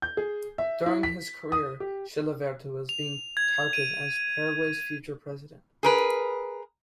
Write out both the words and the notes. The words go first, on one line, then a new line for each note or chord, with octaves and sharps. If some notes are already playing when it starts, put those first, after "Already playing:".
During his career, Chilavert was being touted as Paraguay's future president.
G6
G#4
E5
E4
B6
D#6
G4
F7
G#6
D#7
G#4 A#4 B4